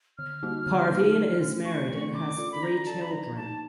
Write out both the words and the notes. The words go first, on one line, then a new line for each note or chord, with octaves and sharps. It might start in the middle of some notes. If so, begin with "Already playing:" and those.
Parveen is married and has three children.
D3 F6
G3 A#3 D#4 F#4
D3
G3 A#3 D#4 F#4
F3
A3 C#4
F3 C#6
A3 C#4
C#4 D6
F4 A4 D5
B5
C#4 A#5
F4 A4 D5 A5
B5
F3 A#5
A#3 D#4 A5